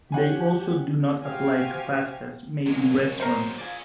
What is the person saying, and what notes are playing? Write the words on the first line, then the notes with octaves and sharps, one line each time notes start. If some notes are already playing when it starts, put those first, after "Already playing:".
They also do not apply to pastas made in restaurants.
G4 C#5 F#5 G#5
F#4 G4 C5 F5 G5 G#5
F2 A#2 C#3 F#3 G#3
A#4 C5
F4 G#4 D5 E5 G#5